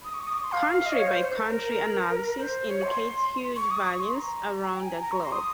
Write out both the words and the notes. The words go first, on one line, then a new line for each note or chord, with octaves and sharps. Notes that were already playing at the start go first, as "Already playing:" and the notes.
Country by country analysis indicates huge variance around the globe.
D#6
C#6
D#6
C#6
C6
F5
D#5
C#5
C5
C5
A#4
A#4
C5
C#5
C6
C#6
D#6
C#6
C6
A#5
G5
G#5
A#5
A#5
C#6
C6
D#6